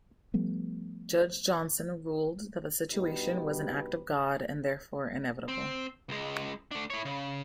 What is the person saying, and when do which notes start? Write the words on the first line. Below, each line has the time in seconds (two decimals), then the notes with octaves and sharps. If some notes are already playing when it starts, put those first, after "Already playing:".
Judge Johnson ruled that the situation was an act of God, and therefore inevitable.
0.34 F3 G3 A3 B3
2.91 G2 B2 G3 D#4 G4 B4
5.48 C4
6.09 C#2 G#3
6.71 A3 D4
6.90 E4 C#5
7.05 C#3